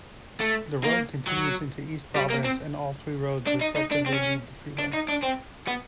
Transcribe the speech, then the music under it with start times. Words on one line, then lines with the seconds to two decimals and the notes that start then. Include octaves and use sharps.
The road continues into East Providence and all three roads respectively leave the freeway.
0.40 A3
0.84 A#3
1.28 F#3
2.16 G3
2.30 A#3
2.45 C4
3.47 D4
3.62 D#4
3.77 D#4
3.92 D4
4.06 C4
4.13 C#4
4.79 D4
4.93 D#4
5.08 D4
5.23 C4
5.67 B3